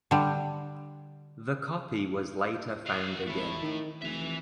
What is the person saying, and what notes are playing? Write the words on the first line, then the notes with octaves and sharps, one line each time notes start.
The copy was later found again.
D3 G3
F#4 F5
G#1 A3 E4
D#3
F1 E3 E5